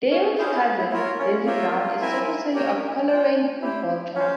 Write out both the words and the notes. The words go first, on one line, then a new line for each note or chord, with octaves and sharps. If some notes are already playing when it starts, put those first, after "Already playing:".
David's cousin, Dessie Brown is secretary of Coleraine Football Club.
C#4
E4 G#4 C5 F5
C#4
E4
F4
E4
E4 F4 A#4 C#5
C#4
F4 G4 A#4 C#5 E5 G5
C4 E4 A#4 E5 G#5
G4 A#4 C#5 G5
F4 C5 G5
E4 G4 C5 G5
C#4 F4 C5 F5